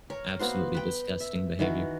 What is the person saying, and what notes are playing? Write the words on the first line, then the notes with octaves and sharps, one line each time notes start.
Absolutely disgusting behavior.
A#4 C#5
A#3 B3 F#4 C5
B4 G5
E5
D#3 E3 F#4